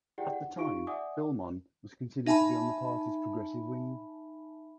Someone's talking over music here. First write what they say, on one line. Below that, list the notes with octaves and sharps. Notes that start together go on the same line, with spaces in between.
At the time, Filmon was considered to be on the party's progressive wing.
E4 G4 G#4 D5 F#5 G5
F#5
D#4 F4 G4 F5 C#6 D7
D5 E5 F#5 G#5 D6 D#6
D#4 E5 G#5 A5 B5